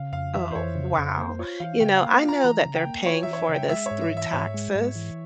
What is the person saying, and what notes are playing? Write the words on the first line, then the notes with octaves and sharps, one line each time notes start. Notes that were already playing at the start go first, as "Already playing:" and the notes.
"Oh wow," you know, I know that they're paying for this through taxes,
Already playing: C#3 F5
F2 F5
E3 E5
C5
F2 C#5
C#3
F2
A#3 C5
F4 C#5
E3 F5
C#3 G5
F5
A#3
F4
A#5
E3 A#5
C#3
G5
A#3
F4 C#5
E3 E5
C#5
E5
C#3
G5
G#3 E5
C#5
G#2
E5
E3
E5
G#2 C#5
G#3
G#2
E3